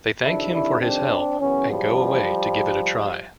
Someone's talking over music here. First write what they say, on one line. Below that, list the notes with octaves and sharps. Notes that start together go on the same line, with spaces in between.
They thank him for his help and go away to give it a try.
F2 C3 D#3 D4 E4
D4 E4
C4 D4
F#2 C#3 E3 B3 C#4
F3 G3